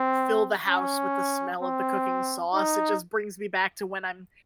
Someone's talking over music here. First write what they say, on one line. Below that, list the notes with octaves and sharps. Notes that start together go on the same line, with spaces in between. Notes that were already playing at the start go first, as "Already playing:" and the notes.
fill the house with the smell of the cooking sauce, it just brings me back to when I'm,
Already playing: C4
C#4
C4
D#4